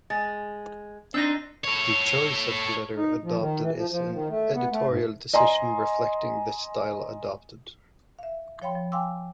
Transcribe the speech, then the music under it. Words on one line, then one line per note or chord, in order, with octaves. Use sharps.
The choice of letter adopted is an editorial decision reflecting the style adopted.
G#3 A6
C4 D4 D#4 E6 G6 A#6
A4 C#5
D#4
F3
D#3
E3
F3
F3
D#3
A3
B3
A3
G#2
D#5 G#5 A#5 C6
E5 F5
F3 C#5 F5 G5 B5 C6
F3
F5 G5 G#5 C6 D6 E6